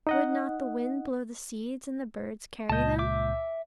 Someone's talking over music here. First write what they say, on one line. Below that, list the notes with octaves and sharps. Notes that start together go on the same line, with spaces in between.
Would not the wind blow the seeds, and the birds carry them?
D#4 D#5 F#5
C#2 A#2 D#5 A5 G6
E5 D6